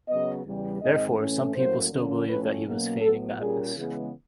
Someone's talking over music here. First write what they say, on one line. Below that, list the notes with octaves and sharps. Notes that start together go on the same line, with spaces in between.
Therefore, some people still believe that he was feigning madness.
C#3 F#3 B3 D#5
E2 C#3 E3 G3
G#2 D#3 G#3 C4 D#5
A2 E3 A3 C#4
A2 F#3 A#3 C#4 C5
D3 F3 A#3 C#4
A2 F3 A3 C#4 B4
B2 F#3 A#3 C#4
A2 F#3 B3 A4
A#2 G3 A#3 C#4 G#4
C#3 E3 G#3 B3